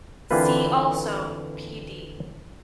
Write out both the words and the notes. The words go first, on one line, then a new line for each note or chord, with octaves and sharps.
See also Pd.
D3 E3 A#3 C4 F4 B4